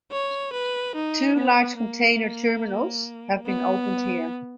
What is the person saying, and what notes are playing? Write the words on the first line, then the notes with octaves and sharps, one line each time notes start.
Two large container terminals have been opened here.
C#5
B4
D#4
B3
A#3
B3